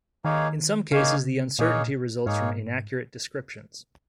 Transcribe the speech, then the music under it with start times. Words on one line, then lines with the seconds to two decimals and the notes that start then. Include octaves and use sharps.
In some cases, the uncertainty results from inaccurate descriptions.
0.25 D#3 A#3 D#4 G#4 C#5 F5
0.92 C#3 A#3 D#4 G#4 C#5 F5
1.59 A#2 A#3 D#4 G#4 C#5 F5
2.26 G#2 A#3 D#4 G#4 C#5 F5